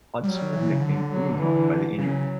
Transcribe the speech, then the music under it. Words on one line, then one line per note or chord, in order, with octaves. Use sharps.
Hodgson was nicknamed "Umingmak" by the Inuit.
F#3 G3
E3
C#3
D3
F#3
E3
C#3 F#3